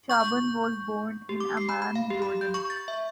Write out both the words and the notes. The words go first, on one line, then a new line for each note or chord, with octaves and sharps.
Shaban was born in Amman, Jordan.
C#6 G6
G4
D6
C7
B5
B5
F5
G4
B5
G6
C#6
A6
E5